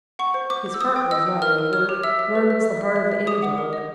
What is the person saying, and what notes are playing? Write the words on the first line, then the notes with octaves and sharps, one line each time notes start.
His heart was not in the work, nor was the heart of any dog.
F#5 C#6
C5
C5 D6
C5
E6
C5 D#6
G5
D#5 E6
G5
A#4 F6
A#4
C#5 F6
G4
E5 E6
E5
B4
E5
E5
E5
E5
E5
G4 D#6
F#5
A#4
D#5